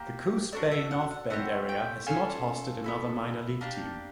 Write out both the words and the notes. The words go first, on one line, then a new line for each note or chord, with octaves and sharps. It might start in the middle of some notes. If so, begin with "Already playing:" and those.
The Coos Bay–North Bend area has not hosted another minor league team.
Already playing: A#3 G4
D4 F#4 A4 D5
E5
F#5
F#5
A3 C4 E4 G4 F#5
G5
C#4 F4 A4 G#5
B3 E4 A4
A#3 D4 G4 A5